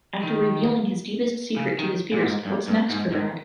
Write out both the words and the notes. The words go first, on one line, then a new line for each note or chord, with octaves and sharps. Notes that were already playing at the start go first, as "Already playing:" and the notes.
After revealing his deepest secret to his peers, what's next for Brad?
D#3
C#3
D#3
A#2
G#2
G2
G2
G#2
G#2